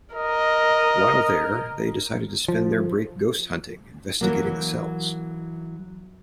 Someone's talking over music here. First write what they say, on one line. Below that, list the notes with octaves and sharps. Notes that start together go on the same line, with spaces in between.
While there, they decided to spend their break ghost hunting investigating the cells.
A#4 D#5
F3
E3 F#3 A#3